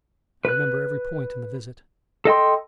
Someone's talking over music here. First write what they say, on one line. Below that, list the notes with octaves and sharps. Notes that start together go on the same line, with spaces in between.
I remember every point in the visit.
B4 F#6
A4 D#5 G5 C6